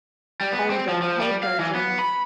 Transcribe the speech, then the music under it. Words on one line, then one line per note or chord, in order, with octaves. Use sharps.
on the paid version,
G3
B3
C4
F3
F3
G3
F5
E3
B3
B5